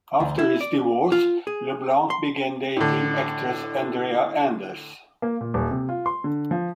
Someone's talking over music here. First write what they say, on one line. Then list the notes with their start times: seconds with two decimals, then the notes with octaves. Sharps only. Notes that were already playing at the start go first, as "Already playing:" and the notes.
After his divorce, LeBlanc began dating actress Andrea Anders.
0.20 D2
0.39 E4
0.61 D5
1.12 F4
1.47 G#4
2.10 C6
2.77 A2 D3
5.22 A#3
5.41 A#2
5.54 D#1
5.71 C3
5.89 F4
6.06 C6
6.24 D3
6.51 F3